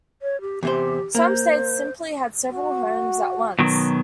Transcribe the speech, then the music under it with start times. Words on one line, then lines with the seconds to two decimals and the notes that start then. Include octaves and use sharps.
Some states simply had several homes at once.
0.22 C#5
0.41 G4
0.63 E2 C3 G4 C5
1.15 A#3 C5
2.52 F#4
3.59 B2 D#3 F#3